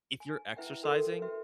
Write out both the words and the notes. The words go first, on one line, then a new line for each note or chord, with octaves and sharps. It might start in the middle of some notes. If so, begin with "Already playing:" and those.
if you're exercising,
G#5
E4 B4 E5 F#5 G5
F#4 A4 A#4 F#5 G5
F#4 B4 E5 G5